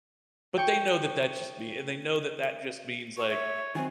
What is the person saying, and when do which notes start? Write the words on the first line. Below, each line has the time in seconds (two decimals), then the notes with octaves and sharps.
but they know that that's just me, and they know that that just means, like,
0.57 G5 C#6
3.17 C#6
3.30 C#5 E5
3.75 D#3 F#3 C4 G#5